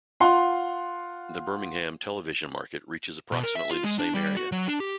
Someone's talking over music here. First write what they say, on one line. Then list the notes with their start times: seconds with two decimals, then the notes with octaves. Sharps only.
The Birmingham television market reaches approximately the same area.
0.20 F4 F5 F#5 C6
3.32 B2
3.43 A#4
3.55 E5
3.71 F4
3.84 G#3
3.99 D4
4.14 G3
4.37 F#4
4.52 F#3
4.68 D4
4.80 G4